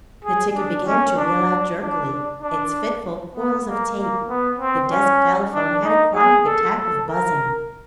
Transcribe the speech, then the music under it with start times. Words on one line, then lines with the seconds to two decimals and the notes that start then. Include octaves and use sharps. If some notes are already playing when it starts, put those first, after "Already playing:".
The ticker began to reel out jerkily its fitful coils of tape, the desk telephone had a chronic attack of buzzing.
0.24 G#4
0.55 D4
0.86 C#4
1.17 D4
1.80 D4
2.42 D4
3.35 B3
3.65 A#3
3.97 A#3
4.28 B3
4.59 C4
4.90 C#4
5.53 D4
5.84 D#4
6.14 G#4
6.46 A4
6.77 A4
7.08 A#4